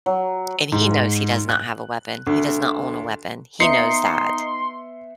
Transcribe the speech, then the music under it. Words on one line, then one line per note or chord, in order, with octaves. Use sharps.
And he knows he does not have a weapon, he does not own a weapon, he knows that.
F#3
G#2
F#6
D2
B3 D#4 E5 C6 C7 C#7